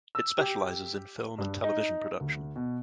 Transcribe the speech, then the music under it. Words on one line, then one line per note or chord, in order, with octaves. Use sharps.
It specializes in film and television production.
E6
G4
G2
D#4
D2
B2